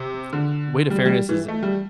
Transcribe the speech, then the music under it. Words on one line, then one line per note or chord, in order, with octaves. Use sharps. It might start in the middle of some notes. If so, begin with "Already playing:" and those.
the way to fairness is
Already playing: C3
D3
G3
G3
E3
A3
G3